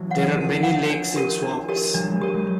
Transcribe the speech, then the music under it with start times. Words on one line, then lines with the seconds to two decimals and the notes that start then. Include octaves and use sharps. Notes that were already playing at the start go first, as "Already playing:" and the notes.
There are many lakes and swamps.
Already playing: E3 F#3
0.11 C#5 F#5
0.36 D#3 F3 A#4
0.55 E3
0.63 D#3 F3 C#5 F#5
0.90 D4
1.16 G4 A#4 C#5
1.42 D4
1.69 G4 A#4 C#5
1.94 F3 G3 D4
2.08 F#3 G#3
2.21 G4 A#4 C#5
2.34 F#3 G#3